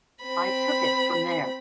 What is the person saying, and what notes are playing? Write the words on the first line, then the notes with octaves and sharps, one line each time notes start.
I took it from there.
C4 B5